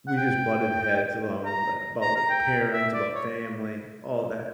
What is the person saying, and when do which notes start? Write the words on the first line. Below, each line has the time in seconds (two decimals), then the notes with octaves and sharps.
we just butted heads along with that about, like, parents, about family, all that.
0.08 F#5
0.18 G5
1.45 A#5
2.02 A#5
2.16 A#5
2.30 G5
2.73 E5
2.93 D5
3.15 C#5